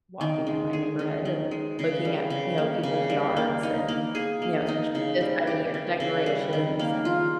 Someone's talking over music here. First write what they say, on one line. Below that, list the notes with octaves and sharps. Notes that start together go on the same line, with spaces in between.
walking in my neighborhood and looking at, you know, people's yards and, you know, especially this time of year, decorations and
D#3
G#3
G#4
C#4
D#3
G#3
C#3
G3
C#3
A#3
C#3
G3
A#3
D#4
A#3
G#4
A#3
D#4
C#3
G3
G4
C#4
C#3
G3
D#3
A#3
F4